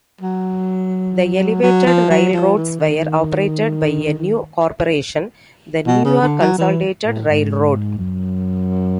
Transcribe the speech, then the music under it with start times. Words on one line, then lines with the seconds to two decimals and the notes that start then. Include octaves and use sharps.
The elevated railroads were operated by a new corporation, the New York Consolidated Railroad.
0.21 F#3
1.63 F#3
1.86 F3
2.11 F#3
2.34 F3
2.57 E3
2.80 D#3
5.87 B2
6.05 C#3
6.22 D3
6.40 F#3
6.58 E3
7.05 A2
7.29 G#2
7.99 F#2